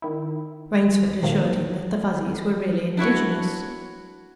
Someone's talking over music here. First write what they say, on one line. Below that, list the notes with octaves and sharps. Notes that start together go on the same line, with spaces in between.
Rainsford assured him that the Fuzzies were really indigenous.
D#3 E4
A#2 D#3 F3 F#3 A#3
D4 E4 F#4 C#5